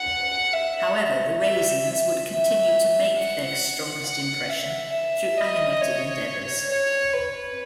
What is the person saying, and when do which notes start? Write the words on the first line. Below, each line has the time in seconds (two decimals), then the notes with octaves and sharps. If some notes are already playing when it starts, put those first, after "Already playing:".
However, the Raisins would continue to make their strongest impression through animated endeavors.
Already playing: F#5
0.53 E5
1.41 E5
1.85 E5
3.16 F#5
4.06 F#5
4.50 E5
4.92 E5
5.37 D#5
5.81 C#5
6.69 C#5
7.13 B4